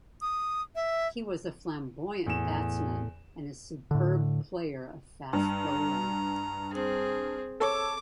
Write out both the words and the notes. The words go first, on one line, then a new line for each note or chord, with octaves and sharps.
He was a flamboyant batsman and superb player of fast bowling.
D#6
E5
E2 A2 E7
A2 D3
G2 A#5
C4 G#4
A4 C#5 D6